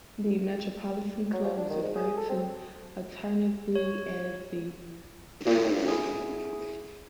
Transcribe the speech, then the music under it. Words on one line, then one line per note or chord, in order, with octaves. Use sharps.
The Metropolitan club was referred to alternately as the "Metropolitan," "Metropolitans" or the "Mets".
F#3
F3
D4
D#3
G#2
G#4
A4
C4
C#5
E4 G#4